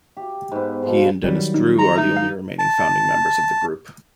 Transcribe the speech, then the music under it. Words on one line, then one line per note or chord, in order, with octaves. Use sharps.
He and Dennis Drew are the only remaining founding members of the group.
G4
G#2 B3
G#2 B2 F3
D#3 F#3 G3
D#4
A#5
D#4 E5
F5
A5